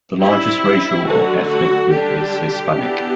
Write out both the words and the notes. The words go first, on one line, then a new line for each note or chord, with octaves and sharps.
The largest racial or ethnic group is Hispanic.
G3 C4 E4
D3 F#3 A3 F#4
F#4
D3 G3 D4 G4
E3 B3 D4